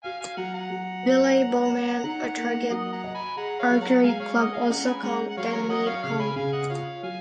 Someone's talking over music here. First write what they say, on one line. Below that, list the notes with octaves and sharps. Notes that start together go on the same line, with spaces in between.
Ville Bowmen a target archery club also call Denmead home.
F#4 F5 G#5
F5 G#5
F#3 F#5 A#5
F#5 A#5
F#3
B3
C#5
C#5
D#4 F#5 A#5
A#3
F#3 D#5 F#5
F#5 A#5
D#5
G#5 B5
G#4 F#5 A#5
C#5 F5
F#3
F#5 A#5
G#3 F5 G#5
C#5 F5
G#3 D#5 F#5
F5 G#5
C#4 F#5 A#5
G#5 B5
G#3 F#5 A#5
F#5
F#3 C#5 F5
A#4 C#5
F#3 D#5 F#5
C#5 F5
C#3 C#5 F5
G#5 B5
C#3 F5 G#5
D#5 F#5
F4 C#5 F5
F#3 F5 G#5